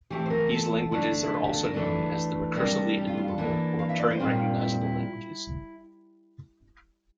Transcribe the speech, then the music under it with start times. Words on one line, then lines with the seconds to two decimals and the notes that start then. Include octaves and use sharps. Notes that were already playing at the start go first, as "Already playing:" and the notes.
These languages are also known as the "recursively enumerable" or "Turing-recognizable" languages.
0.10 E3 A3 C4 G4
0.26 C5
0.30 A#4
0.52 A4
0.92 D3 A3 D4
1.23 E4
1.34 F4
1.44 G4
1.53 A4
1.64 A#4
1.74 E3 A3 D4 A4
2.56 C3 G3 D4 A#4
2.98 G4
3.07 F4
3.17 F4
3.28 A4
3.38 E3 A#3 D4
3.79 F5
3.89 E5
3.99 D5
4.10 C5
4.20 A#2 G3 C4 F4
4.61 E4
4.81 E4